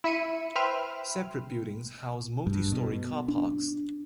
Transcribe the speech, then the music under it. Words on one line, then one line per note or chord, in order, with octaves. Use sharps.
Separate buildings house multi-storey car parks.
E4 E5 C#7 D#7
B4 C5 E5 G5 F6
G2
B2
D4